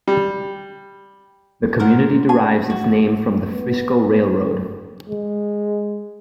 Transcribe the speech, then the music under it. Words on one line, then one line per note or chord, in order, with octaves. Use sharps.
The community derives its name from the Frisco Railroad.
G3
A#4 C5 F#5
F#5 G#5 A5
F#4
B3
G#3